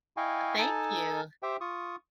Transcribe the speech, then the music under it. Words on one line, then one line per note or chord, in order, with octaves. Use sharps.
Thank you.
E4 D#5 F5 G5 G#5 C#6
D#4 A4 G#5 A5
G4 C5 E5 G5
F4 C#6 D#6